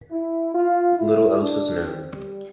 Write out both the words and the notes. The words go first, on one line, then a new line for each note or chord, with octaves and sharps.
Little else is known.
E4
F4
E4
D4
C4
G3